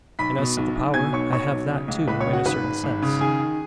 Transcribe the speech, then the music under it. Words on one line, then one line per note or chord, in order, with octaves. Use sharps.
And as to the power, I have that, too, in a certain sense.
B1 B5 B6
B2
B1
B1
B2 G#5 G#6
B1 C#5 C#6
B2 C#5 C#6
B1
C#3
C#2
C#2 B4 B5
C#5 C#6
C#3
F#4 F#5
G#1 B4 B5
G#1
G#1
C#3
D#3 G#4 G#5
D#3